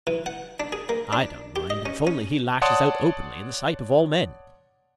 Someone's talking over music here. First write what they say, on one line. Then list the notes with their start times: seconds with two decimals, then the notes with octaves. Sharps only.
"I don't mind if only he lashes out openly in the sight of all men."
0.07 E3
0.26 F#5
0.60 D4
0.73 G#4
0.89 A#3
1.13 D4
1.56 G4
1.70 D#5
1.86 C#4
2.07 C#4
2.62 C#5 D5 F#5 A5 C6 D#6